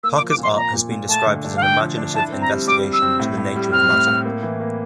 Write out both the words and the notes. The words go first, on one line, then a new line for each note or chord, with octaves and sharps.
Parker's art has been described as an imaginative investigation into the nature of matter.
A#3 E6
D6
F3
D6
A#2 C6
A#2 A#5
A#2
A#2
A3 A5
D3
D4
F5
D3 G5
F3
D4
E4 A5
C4
A#5
G3
G3 D6
G3
E6
C4
A2
A2
G3
C4 F6
A2
A2
A#3
E3
A#3